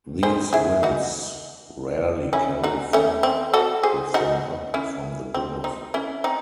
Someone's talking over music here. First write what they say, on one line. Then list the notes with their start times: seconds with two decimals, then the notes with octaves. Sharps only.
These winds rarely carry fog with them up from the gulf.
0.23 G#4 C5
0.53 E4 G#4
0.83 D#4 F#4
2.33 C#4 E4
2.64 D#4 F#4
2.93 A3 C#4
3.23 C4
3.54 F#4 A4
3.83 G#4 C5
4.14 D#4 F#4
4.74 C#4 E4
5.34 C4
5.64 C4 D#4
5.94 C#4 E4
6.24 C4 D#4